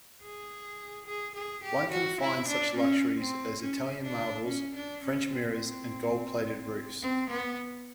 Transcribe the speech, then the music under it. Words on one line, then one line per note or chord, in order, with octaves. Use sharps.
One can find such luxuries as Italian marbles, French mirrors, and gold-plated roofs.
G#4
G#4
G#4
G4
F#4
E4
D4
C#4
C4
C#4
D4
C#4
D4
C#4
C4
C4
B3